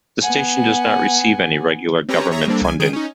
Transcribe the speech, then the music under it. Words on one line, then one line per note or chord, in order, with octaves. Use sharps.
The station does not receive any regular Government funding.
B3 F#5 G#5
C4 C#4 G4 B4 C#5 A#5
G#4 C#5 E5 A#5
G3 A#3 C4 D4 A4
C2 G#5
D#3 G#4 G6 D7
C#4 D#4